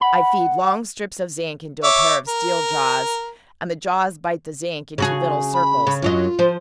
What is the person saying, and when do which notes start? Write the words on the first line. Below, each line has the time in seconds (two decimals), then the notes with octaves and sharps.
I feed long strips of zinc into a pair of steel jaws, and the jaws bite the zinc into little circles.
0.01 F#5 B5
1.83 C#5 E5 D6
2.28 A#4
4.98 C#3 F#4 G#4
5.54 B5
5.87 C#3
6.02 F#2 F#3 F4 D#5
6.39 F3 C5